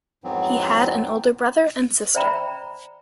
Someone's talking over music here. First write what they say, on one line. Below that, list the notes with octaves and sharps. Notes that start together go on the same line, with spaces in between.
He had an older brother and sister.
F2 G#2 E3 F#3 B3 C4
C5 D5 E5 G5 A#5 B5